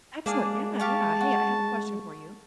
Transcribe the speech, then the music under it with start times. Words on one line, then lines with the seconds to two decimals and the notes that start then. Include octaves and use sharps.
Excellent. Yeah, yeah. Hey. I have a question for you.
0.26 G#3 A#3 D4 G#4
0.80 G4 F5 A5 C#6
1.21 F#4